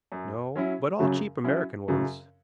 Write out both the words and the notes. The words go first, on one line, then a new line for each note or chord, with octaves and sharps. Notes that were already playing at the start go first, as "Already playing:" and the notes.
"No, but all cheap American ones."
F#2
F#3 C#4 E4
F#2 C#3 F#3
F#3 C#4 E4
F#2 C#3 F#3